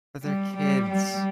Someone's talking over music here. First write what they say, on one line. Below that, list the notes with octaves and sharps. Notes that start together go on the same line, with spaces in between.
But they're kids.
G3
G3
G3